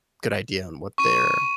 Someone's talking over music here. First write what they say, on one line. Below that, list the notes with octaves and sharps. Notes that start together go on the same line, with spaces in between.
good idea on what they're
C#6 D#7